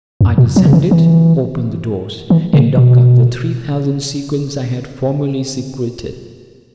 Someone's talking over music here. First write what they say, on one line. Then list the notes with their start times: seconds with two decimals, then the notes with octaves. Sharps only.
I descended, opened the doors, and dug up the three thousand sequins I had formerly secreted.
0.21 F#2
0.38 B2
0.56 F#3
0.65 C#3
0.73 E3
0.91 E3
2.30 E3
2.53 C#3
2.77 B2